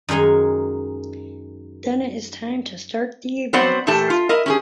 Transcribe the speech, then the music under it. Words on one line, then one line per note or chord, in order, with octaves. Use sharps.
Then it is time to start the events.
F#2 D#3 G#3 D#4 G#5
F#3 B3 C4 C5 D5 F#5
A#2 E3 A3 G4 A5
F4
E4 A#4 D#5
C#4 G4 G#4